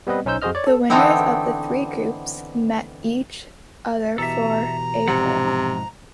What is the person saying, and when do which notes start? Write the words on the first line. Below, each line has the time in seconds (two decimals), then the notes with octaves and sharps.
The winners of the three groups met each other for a play-off.
0.07 G3 B3 C4 B4 D#5
0.25 B1 C#4 D#4 C5 E6 G6
0.42 F2 F#4 G#4 C5 D#5 F6
0.55 C#5 D5
0.67 A4
0.90 D3 E3 B3 C4 D#4 E4
4.18 B2 E3 G4 A4 E5 A#5
5.08 G#2 C3 F3 F#5